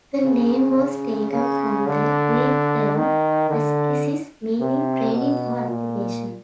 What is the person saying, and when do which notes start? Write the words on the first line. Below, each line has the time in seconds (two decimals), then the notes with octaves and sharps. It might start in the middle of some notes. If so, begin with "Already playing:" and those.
The name was taken from the Greek term "Askesis", meaning 'training' or 'application'.
0.24 C#3
0.78 C#3
1.32 C#3
1.87 D3
2.96 D#3
3.50 D3
4.60 C3
5.14 B2
5.69 A#2